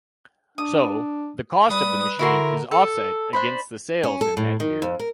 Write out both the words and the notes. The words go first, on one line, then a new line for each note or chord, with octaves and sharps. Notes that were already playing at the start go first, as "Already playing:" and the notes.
So, the cost of the machine is offset against the sales in that year.
D4 D#6
G3 B4 D#6
D3 E4 F#4 A#4 C6
A4
D4 C5 B5
C#4
A4
A2
D#3
F2
A#4